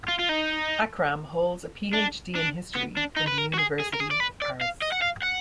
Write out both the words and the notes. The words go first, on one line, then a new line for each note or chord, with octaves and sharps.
Akram holds a PhD in history from the University of Paris.
F4
F4
D#4
D4
D4
B3
D4
D#4
B4
A#4
F#4
G#4
G#4
A#4
G#4
D5
B4
D5
F5
D#5
F#5
F5
F#5